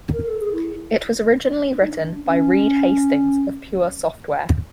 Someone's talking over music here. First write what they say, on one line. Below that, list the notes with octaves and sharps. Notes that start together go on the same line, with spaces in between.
It was originally written by Reed Hastings of Pure Software.
A#4
A4
G#4
E4
D4
D#4
D4
C#4